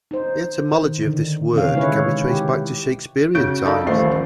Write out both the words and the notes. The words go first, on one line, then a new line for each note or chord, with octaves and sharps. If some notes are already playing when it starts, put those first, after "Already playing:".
The etymology of this word can be traced back to Shakespearean times.
D#4 C5
D#3
D3 D#3
C3 C#4 F5
D3 D#3 G#3 E4 B4 C#5
G4
C#3 C#4 F#4 C#6 G6 D7
D#4 A4 D5 F5 B5
D#1 A1 F3 A3 C5 C7